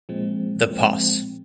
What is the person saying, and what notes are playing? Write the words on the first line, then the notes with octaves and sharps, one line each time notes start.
The poss.
A#2 F3 G#3 C4
A#2 F3 G#3 C4